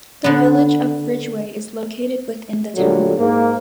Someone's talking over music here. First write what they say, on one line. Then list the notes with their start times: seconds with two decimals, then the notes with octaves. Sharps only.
The Village of Ridgeway is located within the town.
0.24 D3 B3
2.76 A#2 D3 F#3 G3 A3
3.18 G#2 A#3